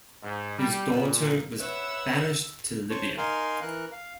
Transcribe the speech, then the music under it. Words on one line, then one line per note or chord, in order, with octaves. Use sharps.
His daughter was banished to Libya.
G#2
G3
A#2
B4 C#5 E5 F#5 E6 E7
C5 C#5 A5 C#6
D#4 A#4 F5 G#5 C6
E3 A#4 F#6
F5